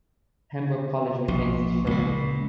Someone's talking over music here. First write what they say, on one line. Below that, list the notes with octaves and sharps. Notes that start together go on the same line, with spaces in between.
Pembroke College retains this trophy.
A#1
C#2 A#2